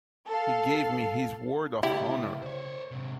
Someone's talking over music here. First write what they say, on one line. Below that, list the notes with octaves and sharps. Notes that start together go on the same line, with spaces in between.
He gave me his word of honor.
A4 F5
C#3 E4 G4 B4
C5 C#5
G#2 C3